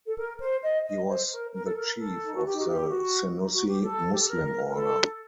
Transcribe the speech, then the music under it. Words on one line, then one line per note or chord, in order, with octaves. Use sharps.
He was the chief of the Senussi Muslim order.
A4
A#4
C5
D#5
D#5
C5
A#4
A#4
A4
A#4
A4
D#4
F#4
G4
D#4
F#4
G4
F#4
D#4
F#4
G4
A4
G4
A4
A#4
A#4
A4